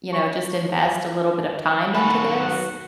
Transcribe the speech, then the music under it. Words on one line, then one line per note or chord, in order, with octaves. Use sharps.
you know, just invest a little bit of time into this?"
C#5 C#6
D#3 F#3 F#4 A4 G5 G#5 B5